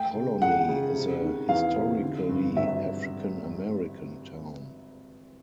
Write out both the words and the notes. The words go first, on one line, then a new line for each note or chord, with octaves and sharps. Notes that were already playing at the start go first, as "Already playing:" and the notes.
Colony is a historically African-American town.
Already playing: A3 G5
C#3
C#2 F#5
C#3
C3
D#3
E2 F5
C3
D3
G2
G#1 E5